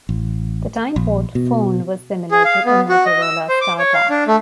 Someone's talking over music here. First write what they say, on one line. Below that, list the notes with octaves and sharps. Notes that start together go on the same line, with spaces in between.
The Timeport phone was similar to a Motorola Startac.
A1
A#1
B2
G#4
F5
B3
F#4
D#5
E6
C5
D6
C#5
F5
D4
A3